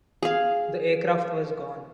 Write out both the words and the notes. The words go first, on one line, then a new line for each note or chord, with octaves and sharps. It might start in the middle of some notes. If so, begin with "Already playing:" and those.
The aircraft was gone.
G#4 F5